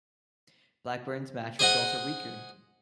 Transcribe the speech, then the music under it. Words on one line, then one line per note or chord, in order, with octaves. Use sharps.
Blackburne's match results are weaker.
G#4 C5 D#5 F#5 G#5